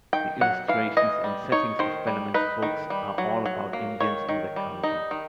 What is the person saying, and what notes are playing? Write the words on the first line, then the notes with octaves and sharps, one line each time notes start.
The illustrations and settings of Bannerman's books are all about Indians and their culture.
D#3 G5
F#3 F#5
E3 F5
E3 D#5
G3
D#4 C#5
D#3 C5
G3
D#4 B4
D#3
G3
F#3
F#3
A#3
D#3 C#5
D#3
G3
D#4
D#3